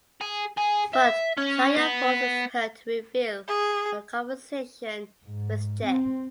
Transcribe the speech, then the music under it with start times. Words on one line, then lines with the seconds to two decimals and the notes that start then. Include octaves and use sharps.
But Shaurya forces her to reveal her conversation with Tej.
0.21 G#4
0.57 G#4
0.93 E5
1.37 C#4
1.77 B3
3.48 G#4
5.25 G#2
5.85 C4